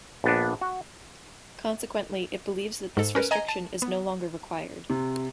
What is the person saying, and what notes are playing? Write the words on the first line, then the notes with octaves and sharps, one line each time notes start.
Consequently, it believes that this restriction is no longer required.
A#1 B3 D4
F#4
G#2 A4
C#4 A#4 B4
D#5 G#5 A#5 G#6 D#7
A5
B3
C3